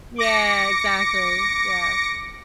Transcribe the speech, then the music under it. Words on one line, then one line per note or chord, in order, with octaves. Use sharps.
Yeah, exactly. Yeah.
D6 A#6 C#7